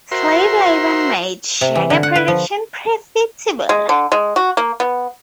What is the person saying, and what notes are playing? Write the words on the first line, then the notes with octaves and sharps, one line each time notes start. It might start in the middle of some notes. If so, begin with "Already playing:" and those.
Slave labour made sugar production profitable.
F#4 A#4 C5 E5 C6
C3
E3
D3
F#5
B4
F3
G#3
D3
G#3
F#4
A#3
B3